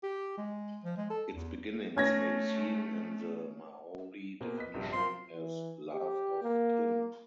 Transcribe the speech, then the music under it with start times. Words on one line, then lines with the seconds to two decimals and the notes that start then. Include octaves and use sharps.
It's beginnings may be seen in the Maori definition as "love of kin".
0.03 G4
0.37 G#3
0.84 F3
0.97 G#3
1.10 A4
1.32 E2
1.96 A3 C#4 G#6 A#6
4.41 B2 A#3 C4
4.58 B4 D#5 B6
4.74 A#1 G2 C3
4.93 C4 F4 A#4 C6
5.33 E3
5.93 G4
6.43 A#3